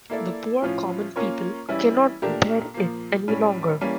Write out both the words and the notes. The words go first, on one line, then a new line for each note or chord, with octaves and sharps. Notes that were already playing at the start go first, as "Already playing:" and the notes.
The poor common people cannot bear it any longer.
A#3 E4 A4 D5
A2 F3 C#4 F4
A#3 C#4 F4 A#4 C#5
E3 G3 C#4 E4
A#2 A3 D4 G4 A#4
A#2 F3 A#3
A2 G3 C#4
E3 G3 A#3 C#4